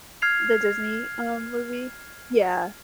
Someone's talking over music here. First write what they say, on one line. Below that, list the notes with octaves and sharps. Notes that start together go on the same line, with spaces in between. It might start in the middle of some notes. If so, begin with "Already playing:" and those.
The Disney, um, movie. Yeah.
F6 G#6 C7 F7